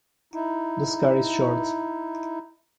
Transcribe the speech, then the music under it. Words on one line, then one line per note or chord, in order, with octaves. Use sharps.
The scar is short.
D#4 E4